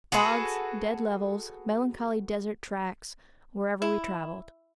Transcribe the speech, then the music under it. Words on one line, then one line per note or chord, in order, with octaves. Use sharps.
Bogs, dead levels, melancholy desert tracks, wherever we travelled.
F#4 G#4 A4 B4
E4